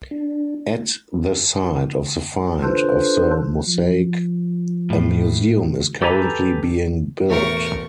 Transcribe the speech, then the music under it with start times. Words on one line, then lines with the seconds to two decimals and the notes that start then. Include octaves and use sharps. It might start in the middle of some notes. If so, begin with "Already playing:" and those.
At the site of the find of the mosaic a museum is currently being built.
0.11 D4
2.63 D4 F4 A4 B4 C5
3.68 F3
4.90 A2
6.02 G4 A4 B4 G#5 A#5
7.30 E1 A1 A3 A#4 C#6